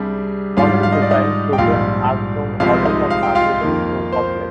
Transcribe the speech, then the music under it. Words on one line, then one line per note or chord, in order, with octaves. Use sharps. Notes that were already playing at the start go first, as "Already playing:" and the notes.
Modern design closure has grown orders of magnitude more complex.
Already playing: C2 C3 G3 D4 G#4
G#2 G3 D4 F4 F5
F5
D#5
D5
D#4 D#5
G5
A#1 G#2 G3 F4 F5
C2 C3 F3 G#3 C4 F4 F5
D#4 D#5
F5
G5
F4 F5
F2 D#3 A#3
C5